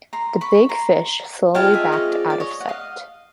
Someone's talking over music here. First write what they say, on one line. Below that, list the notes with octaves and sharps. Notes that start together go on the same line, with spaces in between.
The big fish slowly backed out of sight.
A#5 C6
B5 C#6
A#5 C6
G#3 C4 F4 G5 A5
D5 E5
C#5 D#5
D5
D5
C#5 D#5
F#5
D#5 F5